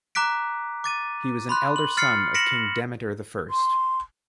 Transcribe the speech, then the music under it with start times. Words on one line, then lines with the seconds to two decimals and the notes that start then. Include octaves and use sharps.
He was an elder son of King Demetre the First.
0.15 A#5 D6 F#6 B6 D7
0.84 D6 A6 D#7
1.49 B5 C6 F#6
1.76 F#7
1.97 F6 A6 C7 C#7
2.34 A#6 B6 C#7 D7 E7 F#7
3.50 C6